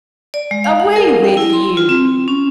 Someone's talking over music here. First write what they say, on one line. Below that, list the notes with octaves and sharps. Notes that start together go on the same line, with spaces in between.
Away with you!
D5
G#3
F5
F#5
A#4
G5
E4
C6
F4
C4
C#4